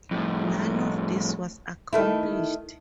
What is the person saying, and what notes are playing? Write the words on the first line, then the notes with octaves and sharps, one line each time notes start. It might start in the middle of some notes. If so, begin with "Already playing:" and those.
None of this was accomplished.
F2 A2
D#3 A3 E4